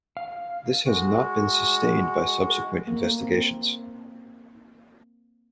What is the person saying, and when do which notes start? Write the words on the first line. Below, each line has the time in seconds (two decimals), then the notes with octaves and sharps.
This has not been sustained by subsequent investigations.
0.17 F5
0.85 G#3 F#4
2.88 A#3
3.21 C4